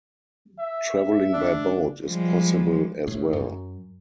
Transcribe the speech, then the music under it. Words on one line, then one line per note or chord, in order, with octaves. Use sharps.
Travelling by boat is possible as well.
E5
D4
F3 G3 G#3
A2
F#2